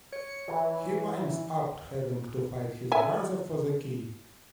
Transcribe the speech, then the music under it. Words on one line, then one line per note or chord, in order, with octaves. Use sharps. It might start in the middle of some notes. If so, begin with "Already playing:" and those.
He winds up having to fight his brother for the key.
C#5 C#7
E3
E5 G#5